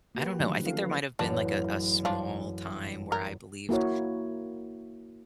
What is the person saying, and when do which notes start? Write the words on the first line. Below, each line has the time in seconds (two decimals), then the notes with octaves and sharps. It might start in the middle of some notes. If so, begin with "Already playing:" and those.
I don't know, I think there might've been, like, a a small time where I believed,
0.15 A#3 F#4 G4 B4
0.40 D3 D#3 F3 F#3 A3 D4
0.64 C#4 F4 A4 F5
0.81 B4
1.19 A1 F#2 D4
2.05 F3 D4
3.12 A#4
3.69 A#3 E4 F#4 A#4 C#5